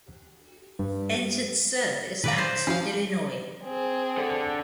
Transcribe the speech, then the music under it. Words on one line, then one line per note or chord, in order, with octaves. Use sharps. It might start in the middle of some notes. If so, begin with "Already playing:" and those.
Entered service at: Illinois.
G2
A#2 D#3 B4 D5 F5 A#5
C5
F3 C#4 E4 F#4 F5
C4 G#4
D3 A4